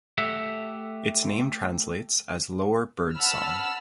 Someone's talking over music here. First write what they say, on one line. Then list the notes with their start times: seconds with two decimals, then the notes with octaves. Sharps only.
Its name translates as lower bird song.
0.18 A3 G4 E5 F#5
3.17 F#5 A5 B5 E6 F6